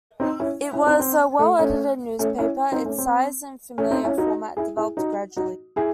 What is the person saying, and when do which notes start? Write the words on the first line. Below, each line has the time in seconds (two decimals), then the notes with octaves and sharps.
It was a well-edited newspaper, its size and familiar format developed gradually.
0.20 C4 D#4
0.40 C#4 E4
0.73 C#4 E4
0.86 C4 D#4
0.99 C4
1.39 A3
1.59 A3 C#4
2.19 A3 C#4
2.38 C#4 E4
2.72 C4 D#4
2.84 A3 C#4
2.98 C4
3.78 A3 C#4
3.90 C4 D#4
4.04 C#4 E4
4.18 D#4 F#4
4.57 E4 G#4
4.77 E4 G#4
4.97 D#4 F#4
5.37 D#4 F#4
5.76 E4 G#4